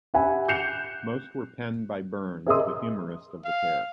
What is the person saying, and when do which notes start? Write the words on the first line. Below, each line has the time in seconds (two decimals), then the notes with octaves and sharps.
Most were penned by Burns, the humorist of the pair.
0.14 G4 E5 F#5 G#5 B5
0.48 F#6 G6 C7 C#7 E7 F7
2.46 G#4 A#4 D#5 E5 C6 D#6
3.45 F5